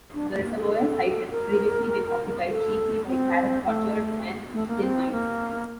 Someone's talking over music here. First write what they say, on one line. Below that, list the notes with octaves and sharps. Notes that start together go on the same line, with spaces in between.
The reservoir site had previously been occupied chiefly by carob orchards and tin mines.
D4
A3
A#3
A4
A#4
A4
C4
A3
A3
A#3
C4
A#3